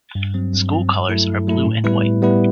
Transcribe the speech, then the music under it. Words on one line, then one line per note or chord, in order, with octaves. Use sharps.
School colors are blue and white.
G2
F#3 C4
G2
F#3 C4
G2
F#3 A3 E4 A4
G2
F#3 A3 E4 A4
A2
G3 B3 E4 B4
A2
G3 B3 E4 B4